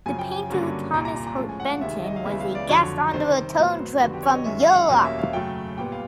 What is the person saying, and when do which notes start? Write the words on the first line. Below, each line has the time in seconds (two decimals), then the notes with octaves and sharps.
The painter Thomas Hart Benton was a guest on the return trip from Europe.
0.06 F#2 C#3 F3 G#5
0.19 G5
0.32 G#5
0.50 G2 D3 F#3 A#3 C#4
0.94 C2 A#2 G3 A#5
1.05 A#5
1.16 A#5
1.27 A#5
1.38 A2 F3 G#3 C#4 A5
1.49 G#5
1.60 F#5
1.70 F5
1.81 D2 C3 D#3 G#3 E5
2.04 D#5
2.16 F5
2.25 C#2 C#3 E3 G#3 B3 E5
2.40 F5
2.55 D5
2.69 F2 D3 F#3 C#5
3.14 C3 D#3 G3 C5
3.57 A2 F#3 B3
4.01 F2 D3 G3 B3 F#4
4.13 G4
4.23 C#5
4.35 D#5
4.45 F#2 D#3 G#3 C#4 E5
4.60 F5
4.75 F#5
4.89 E2 B2 G3 A#3 C#4 F5
5.05 E5
5.19 F5
5.33 F#2 C#3 F#3 A3 G5
5.78 A#2 G3 B3 G5
5.92 F5